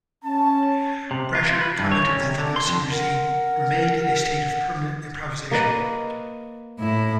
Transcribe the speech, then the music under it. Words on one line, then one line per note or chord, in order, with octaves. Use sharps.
Bracher commented that the Nazi regime "remained in a state of permanent improvisation".
C#4 A5
C3
F4
B4
G2
C#5
C#4
C3
D3
C6
F2
A#4 F#5
A#3 B4 D#5
A2 E4